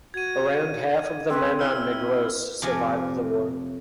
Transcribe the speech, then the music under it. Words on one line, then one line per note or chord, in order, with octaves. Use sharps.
Around half of the men on Negros survived the war.
F#4 G#6 D#7
C4 B4
E4 E6 F6
F2 C3 D5 F5 G#5